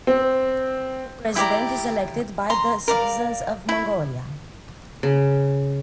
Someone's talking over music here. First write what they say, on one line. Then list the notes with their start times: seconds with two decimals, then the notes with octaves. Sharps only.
The President is elected by the citizens of Mongolia.
0.07 C4
1.36 E4 G4 D5 A#5
2.50 A#5 C6
2.88 A#4 D5 F5
3.69 E4
5.03 C#3